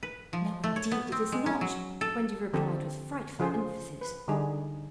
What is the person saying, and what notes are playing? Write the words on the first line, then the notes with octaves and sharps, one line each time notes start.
'No, indeed, it is not,' Wendy replied with frightful emphasis.
B4
F3
A3
C#5
B3
C4
G#3
C#4
F#3
A4
D3 F3 C4 G4 A4
C#3 F3 F4 G#4 A4 C5
B4
D3 G3 D#4 G#4